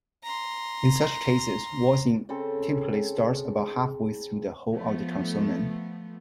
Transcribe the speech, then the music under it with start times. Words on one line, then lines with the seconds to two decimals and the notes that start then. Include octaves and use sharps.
In such cases, voicing typically starts about halfway through the hold of the consonant.
0.23 A#5 C6
2.29 C#3 C4 A4
4.74 F3 A3 B3